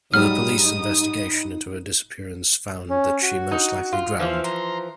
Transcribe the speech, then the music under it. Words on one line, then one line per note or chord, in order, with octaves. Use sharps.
The police investigation into her disappearance found that she most likely drowned.
G#2 F#3 G3 D#4 D#6 F6
C#4
F#4
D#4
F4
E3 F3 C5 F5
A#5 C6